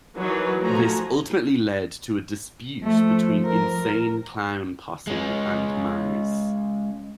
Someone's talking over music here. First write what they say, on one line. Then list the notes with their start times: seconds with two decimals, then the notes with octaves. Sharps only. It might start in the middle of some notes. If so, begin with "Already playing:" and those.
This ultimately lead to a dispute between Insane Clown Posse and Marz.
0.18 E3 F#3 D#4 A#4 B4 C#5
0.61 F3 A3 F#4 G#5 A#5
2.83 F3 A3
3.47 A#4
5.07 G#3 C#4